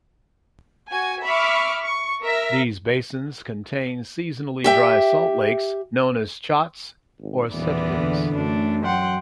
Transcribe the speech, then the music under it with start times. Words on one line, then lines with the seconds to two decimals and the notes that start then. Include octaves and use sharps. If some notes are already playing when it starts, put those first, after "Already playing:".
These basins contain seasonally dry salt lakes, known as chotts or sebkhas.
0.90 F#4 G#5
1.24 E5 B5 C#6 D6 F6
1.81 C#6
2.22 A#4 E5 A#6
4.64 G4 E5 G5
7.20 G#1
7.51 D#1 E2 A#2 E3 B3 D5
7.96 D3
8.35 F#2 A3 D4
8.85 F#3 F#5 G5 C6